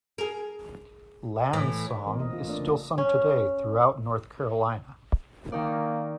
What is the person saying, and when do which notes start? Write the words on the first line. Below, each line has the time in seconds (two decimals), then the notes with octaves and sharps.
Land's song is still sung today throughout North Carolina.
0.18 G#4 A#4
1.53 A2 E3
2.06 E3 C4 A#4
2.19 A#3 D#5
2.33 F4
2.47 A3 A#3 D4 D5
2.59 C#3
2.98 C#4
5.52 D#3 A#3 D#4 D5